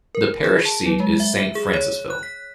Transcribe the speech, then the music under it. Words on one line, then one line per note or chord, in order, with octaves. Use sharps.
The parish seat is Saint Francisville.
A#4
G#4
A5
F#3
G#3
E5
E5
G#4
C#5
F#6
B6